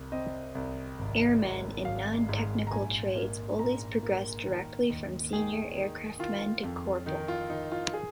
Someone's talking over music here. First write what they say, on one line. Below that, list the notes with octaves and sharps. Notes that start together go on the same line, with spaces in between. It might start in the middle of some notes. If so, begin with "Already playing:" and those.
Airmen in non-technical trades always progressed directly from senior aircraftman to corporal.
Already playing: C2
C4 D#5
C2
G#1
G#2
G#1 F5
G#2
A#5
A#1 G#5
A#3
A#2 A#5
A#3
D#3 A#4
D#2
D#3 G#4
D#3
D#3 F4
F2
D#3 D#4
F4
D#3 D#4
F4
G#4